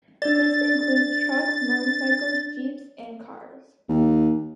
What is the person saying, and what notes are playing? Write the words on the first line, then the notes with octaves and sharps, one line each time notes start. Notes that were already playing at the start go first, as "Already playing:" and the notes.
This includes trucks, motorcycles, jeeps and cars.
D4 D5 A6
D#2